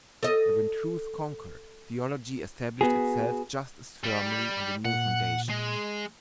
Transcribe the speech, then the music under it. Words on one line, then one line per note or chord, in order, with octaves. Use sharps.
But when truth conquered, theology established itself just as firmly on the new foundation.
A4 D#5
B3 F#4 G#4
G3
A#2 F#5
G#3